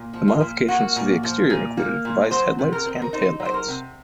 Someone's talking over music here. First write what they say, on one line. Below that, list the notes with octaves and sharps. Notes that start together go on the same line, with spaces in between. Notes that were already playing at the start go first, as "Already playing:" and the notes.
The modifications to the exterior included revised headlights and taillights.
Already playing: A#2
F3
F4
A#2
A#3 F#4
A#2
F3
A#2
A#3
A#2
F#3 C5
C3
A#4
C4
A#4
D#4 C5
F#3
C5
A#4
C3